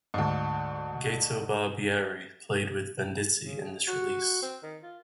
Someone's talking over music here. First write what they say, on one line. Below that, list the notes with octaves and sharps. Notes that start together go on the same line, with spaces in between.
Gato Barbieri played with Venditti in this release.
D2 G#2
C#3
F#4
C4
D#3
F4